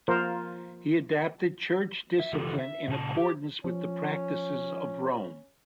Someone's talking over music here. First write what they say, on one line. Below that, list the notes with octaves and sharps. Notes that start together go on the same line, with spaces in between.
He adapted Church discipline in accordance with the practices of Rome.
F3 A#3 F4 A#4 C5
E5
C#3 E3 F4 G4 A4
E5
A#2 C#3 B4 A5
G4
F3 C#4